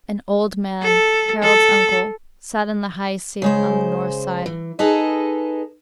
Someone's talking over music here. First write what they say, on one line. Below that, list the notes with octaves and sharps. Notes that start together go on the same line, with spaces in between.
An old man, Harald's uncle, sat in the high seat on the north side.
A4
A4
C#3 G#3 C5
E3
D#4 G#4 A4 B4 D#5